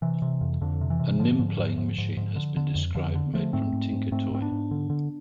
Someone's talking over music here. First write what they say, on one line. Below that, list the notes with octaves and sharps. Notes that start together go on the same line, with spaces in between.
A Nim Playing Machine has been described made from TinkerToy.
C3 E3
C3
F2
F2 D3
C3
E3
C3
G#2 D3 F3
G#2
G#2
G#2
G#2
G#2
D3
D3
F2
F2 D3 F3
D3
D3 F3 A3
G#2 A3 C4
G#2
G#2
G#2 A3 C4
G#2 C4
B3 D4
G#2
D3
D3